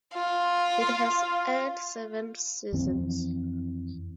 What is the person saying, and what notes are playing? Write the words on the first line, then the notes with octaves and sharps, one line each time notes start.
It has aired seven seasons.
F4
F2 E3 C4